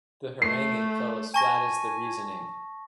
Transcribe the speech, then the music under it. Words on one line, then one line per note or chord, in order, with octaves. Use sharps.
The haranguing fell as flat as the reasoning.
A3 C7
G#5 A5 C#6 A#6